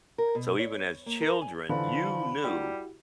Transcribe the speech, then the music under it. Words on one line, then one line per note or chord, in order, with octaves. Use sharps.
so even as children, you knew
A#4
B2
C#5
A#3
A#4
G#5
D3 E3 F3 B5
G3 E4 F#4 G4